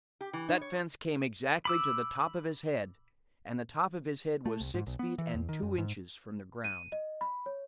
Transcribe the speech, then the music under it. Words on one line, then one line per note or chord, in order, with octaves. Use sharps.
That fence came exactly to the top of his head, and the top of his head was six feet and two inches from the ground.
G4
E3
D#4
C#5
B5 D6 E6
A3
C2
G#2
B1
B3
E3
E2
D#3
F#2
G#2
D#7
D#5
B5
C#5